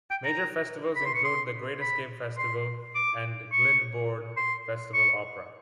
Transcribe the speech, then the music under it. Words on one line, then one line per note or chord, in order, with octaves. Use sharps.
Major festivals include The Great Escape Festival and Glyndebourne Festival Opera.
G5
A#5
B5
C6
C#6
C6
B5
C6
D6
C#6
C6
C#6